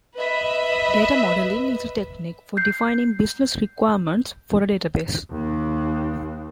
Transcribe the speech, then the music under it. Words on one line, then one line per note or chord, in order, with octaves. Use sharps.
Data modeling is a technique for defining business requirements for a database.
B4 D#5 E5 B5
G6 C7
D#2